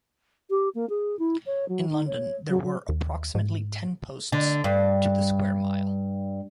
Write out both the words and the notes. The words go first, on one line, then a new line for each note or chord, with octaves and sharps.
In London there were approximately ten posts to the square mile.
G4
A#3
G#4
E4
C#5
F#3
D#4
C#5
F#3
F#3
D#2
G#2
D3
G2